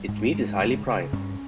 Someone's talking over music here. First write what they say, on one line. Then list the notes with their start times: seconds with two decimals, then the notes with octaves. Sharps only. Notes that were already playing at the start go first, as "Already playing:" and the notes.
Its meat is highly prized.
Already playing: G3
0.08 G#2
0.34 G#2
0.61 C#3
0.87 C#3
1.13 G2 C#4